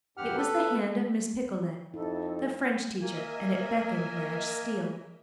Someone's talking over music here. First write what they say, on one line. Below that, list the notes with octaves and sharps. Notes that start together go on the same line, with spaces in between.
It was the hand of Miss Picolet, the French teacher, and it beckoned Madge Steele.
E2 G2 G4 F#5 F6
A4 B4
F2 D#4 E4 A4
A#3 A#4 D#5 E5 G#5